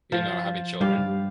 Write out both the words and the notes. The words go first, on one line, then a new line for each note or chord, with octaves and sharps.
you know, having children.
F3
G2 G3 G4 F5